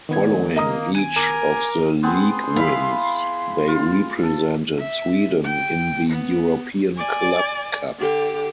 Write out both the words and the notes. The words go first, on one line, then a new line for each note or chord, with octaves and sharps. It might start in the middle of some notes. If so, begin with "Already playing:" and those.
Following each of the league wins, they represented Sweden in the European Club Cup.
A#2 D#3 B3 G#6
A#3 D#5 A#5 D#6
G#5 D7 D#7
A#4 D6
B3 C4 G#4 C6
E4 F5 B5
F4
A4
E5
G5
B3
D5 G#5
D3 G4